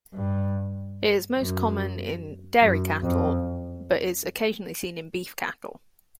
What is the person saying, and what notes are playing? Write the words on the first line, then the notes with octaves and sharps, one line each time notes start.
It is most common in dairy cattle, but is occasionally seen in beef cattle.
G2
F#2
F#2
F2